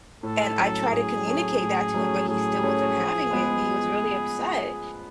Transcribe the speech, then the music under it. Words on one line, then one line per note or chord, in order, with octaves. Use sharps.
And I tried to communicate that to him, but he still wasn't having it, he was really upset.
A2 A4
F#3 A3 C#4
A2 G#4
F#3 A3 C#4
A2
F#3 A3 C#4
A2 G#4
F#3 A3 C#4
F3
G#3 B3